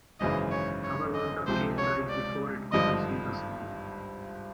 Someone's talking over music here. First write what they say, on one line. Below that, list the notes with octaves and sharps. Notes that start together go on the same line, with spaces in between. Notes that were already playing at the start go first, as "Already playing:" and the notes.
However the King died before it could receive the Seal.
G#1 F#2 C#3 E3 G#3 D#5
C#5
C#5
D#5
C#2 C3 F3 C5
C#5
D5
G#1 G2 D3 F3 D#5